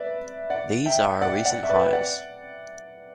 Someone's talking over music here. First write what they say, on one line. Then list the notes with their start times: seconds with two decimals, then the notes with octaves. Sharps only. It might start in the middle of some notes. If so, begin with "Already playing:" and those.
These are our recent hires.
Already playing: B4 D5 E5
0.50 D5 F#5
0.86 E5 G5
1.21 D5 F#5
1.45 D5 F#5
1.63 E5
1.69 B4 D5
1.93 D5 F#5